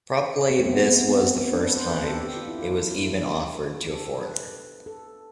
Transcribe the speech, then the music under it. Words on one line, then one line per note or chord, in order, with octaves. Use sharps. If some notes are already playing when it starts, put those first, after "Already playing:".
Probably this was the first time it was even offered to a foreigner.
C4
A3
B3
A3
B3
C4
B3
C4
C4
D4
B4
C5
B4
A4
G4
G4
F4
E4
F4
E4
E4
D4
D4
A4
G4
A4
B4
A4